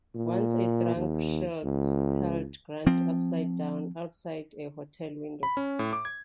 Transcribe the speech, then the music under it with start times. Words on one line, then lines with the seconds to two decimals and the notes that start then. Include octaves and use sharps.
Once a drunk Shields held Grant upside down, outside a hotel window.
0.15 A#2
0.96 D#2
1.64 C#2
2.87 F3 C4
5.43 B5
5.57 C#4
5.79 A2
5.93 D6
6.05 G#6